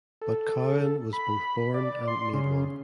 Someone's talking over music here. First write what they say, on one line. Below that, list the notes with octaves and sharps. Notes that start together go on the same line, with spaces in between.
But Cowan was both born and made one.
A4
B5
D5
C6
C#3